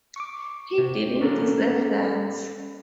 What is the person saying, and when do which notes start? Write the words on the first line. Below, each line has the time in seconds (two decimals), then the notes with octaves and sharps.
He didn’t deserve that.
0.16 C#6 D6
0.78 C3
1.21 C#4 A4 A#4